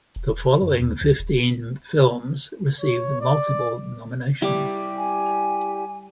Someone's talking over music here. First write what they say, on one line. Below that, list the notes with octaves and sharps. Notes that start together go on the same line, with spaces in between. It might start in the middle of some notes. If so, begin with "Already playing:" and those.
The following fifteen films received multiple nominations.
E1
F#2
D#2
C#2
D#1
C#5
D5
G3 E4 G4 D5
G#5